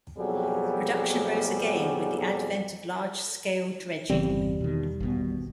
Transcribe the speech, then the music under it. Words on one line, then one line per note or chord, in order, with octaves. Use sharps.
Production rose again with the advent of large-scale dredging.
F2 B2 F#3 G3 F#4 G#4
G1 E2 C#3 G3 C4
B2 D#3
G#1 B2 B3